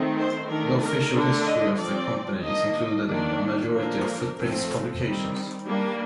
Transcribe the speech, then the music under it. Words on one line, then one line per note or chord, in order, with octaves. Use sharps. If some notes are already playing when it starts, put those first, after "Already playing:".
The official history of the company, is included in the majority of Footprint's publications.
Already playing: D#3 A3 C4
C5
D#3 A3 D4 A#4
A#4
D3 A3 D4
D#5
F3 C4 D5
D#3 A#3 D4 D#5
D#3 A#3 D4 D5
D3 F3 A#3 D4 A#4
F3 A3 C4
D#3 G3 C4
G3 A#3 D4 G4